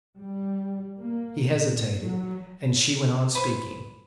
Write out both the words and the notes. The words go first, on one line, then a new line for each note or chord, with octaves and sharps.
He hesitated--and she went on speaking.
G3
A#3
A#2
F#3
B4 C5